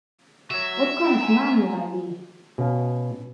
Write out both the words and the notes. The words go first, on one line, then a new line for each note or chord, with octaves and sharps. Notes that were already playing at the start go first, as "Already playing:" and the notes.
What Kind Of Man Would I Be?
F#4 C#5 E5
B3 G5
G#5 A#5
B2 C#4 F5